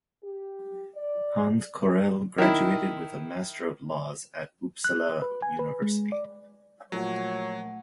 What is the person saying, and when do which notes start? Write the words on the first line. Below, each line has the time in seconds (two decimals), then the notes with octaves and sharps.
Hans Corell graduated with a Master of Laws at Uppsala University.
0.23 G4
0.95 D5
2.38 D#3 E4
4.84 F#6
5.22 B4
5.42 G#5
5.59 B4
5.82 G#3
6.12 D5
6.92 A#1 A#2 F#3 A3 C#5 F#5